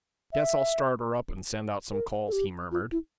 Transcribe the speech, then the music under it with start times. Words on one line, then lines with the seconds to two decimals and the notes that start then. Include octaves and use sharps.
"Guess I'll start her up, and send out some calls," he murmured.
0.33 E5
1.92 A#4
2.27 A4
2.32 G4
2.72 F4
2.92 E4